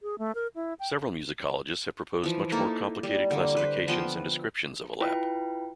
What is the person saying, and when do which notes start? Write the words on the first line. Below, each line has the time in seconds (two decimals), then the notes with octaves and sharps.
Several musicologists have proposed much more complicated classifications and descriptions of alap.
0.03 G#4
0.19 A3
0.35 A#4
0.55 E4
0.80 G5
2.24 E3 F3
2.52 A#3 D#4 E4 A4
3.03 G3
3.31 D3 A#3
3.57 B4 C5
3.88 F3 B3 G5 C6
5.01 E4 F4 B4 G5